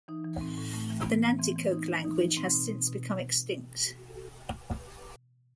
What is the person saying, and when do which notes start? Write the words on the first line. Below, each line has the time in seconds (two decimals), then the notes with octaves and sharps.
The Nanticoke language has since become extinct.
0.08 E3 D#4
0.24 E3
0.40 A2 C4
0.57 A2
0.73 A2 A3
0.91 E3
1.06 E3 B3
1.22 E3
1.39 E3 C4
1.56 E3
1.72 E3 D#4
1.88 E3
2.04 E3 D#4
2.21 E3
2.37 B2 C4
2.54 B2
2.70 B2
2.87 B2